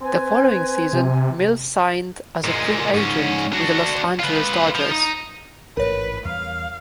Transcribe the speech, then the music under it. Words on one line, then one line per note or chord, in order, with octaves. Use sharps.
The following season, Mills signed as a free agent with the Los Angeles Dodgers.
C4 B4 G#5
C3
A#2 G#3
G#2 C#4
D4 F#4
F4 B4
F3
D#4
A1 G#2 A#4 B4 C#5
E2 G3 F5